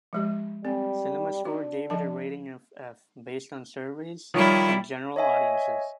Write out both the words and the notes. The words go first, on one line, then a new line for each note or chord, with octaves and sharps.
CinemaScore gave it a rating of "F" based on surveys from general audiences.
F3 G#3 G4
G3 C4
D4 F#4
F3 A5
D#3 F3 G3 E4 C#5
C#5 D#5 E5 G#5